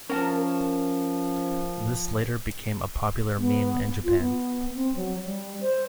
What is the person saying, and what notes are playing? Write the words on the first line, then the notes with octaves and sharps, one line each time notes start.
This later became a popular meme in Japan.
F3 C#4 A#4 F#5 A5
B3
F4
B3
C4
F#3
G3
C5